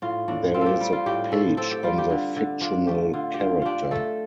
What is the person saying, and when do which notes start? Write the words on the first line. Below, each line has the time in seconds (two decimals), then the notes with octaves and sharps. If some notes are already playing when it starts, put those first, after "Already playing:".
There is a page on the fictional character.
0.02 A2 F4
0.28 A2 D4
0.54 C4 F4
0.61 A4
0.66 G4
0.80 G3
0.93 F4
1.06 A2 G4
1.32 A2 A4
1.57 C4 A4
1.71 G4
1.83 G3 F4
1.98 G4
2.10 D3
2.36 D3
2.61 D4 F4
2.87 A3 G4
3.13 D3 F4
3.34 G4
3.40 D3 F4
3.62 D4 F4 G4
3.91 A3 A4